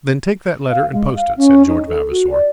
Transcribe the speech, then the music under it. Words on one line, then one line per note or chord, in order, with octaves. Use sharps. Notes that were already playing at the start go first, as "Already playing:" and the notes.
"Then take that letter and post it," said George Vavasor.
F5
G#3
F5
C#4
D#4
A4
F#4
D5